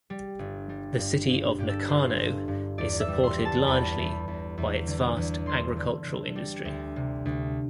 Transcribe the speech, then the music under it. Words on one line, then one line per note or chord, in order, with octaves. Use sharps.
The city of Nakano is supported largely by its vast agricultural industry.
G3
G1
G3
G2
G2
G2 G4
A4
B4
G1 C5
G2
G2
E2 D5
E5
G3
C6
G3
A5
E2 B5
E2
E2
E2
D3
E2
D3 C6
D3
D3
G3
D2
C3
D2